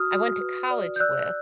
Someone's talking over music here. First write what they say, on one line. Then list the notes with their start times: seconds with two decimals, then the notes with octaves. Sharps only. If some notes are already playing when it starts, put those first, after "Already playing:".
I went to college with,
Already playing: F#4 D#6 F6
0.11 F#4
0.41 B4
0.70 D5
0.96 G6
1.00 D5 E6 F#6